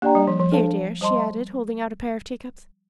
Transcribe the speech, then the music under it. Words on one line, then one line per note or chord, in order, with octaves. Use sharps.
"Here, dear," she added, holding out a pair of teacups.
A#3 D4 G4 D5 G5 A#5
G3
F3
F3
D4 A4 C5 F5 A5
G3 C5 D#5 A5 C6